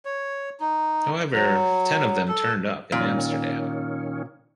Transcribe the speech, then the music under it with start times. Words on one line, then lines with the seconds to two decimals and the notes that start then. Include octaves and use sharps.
However, ten of them turned up in Amsterdam.
0.05 C#5
0.60 D#4
1.33 F#3
2.28 A4
2.92 A#2 D#3 C#4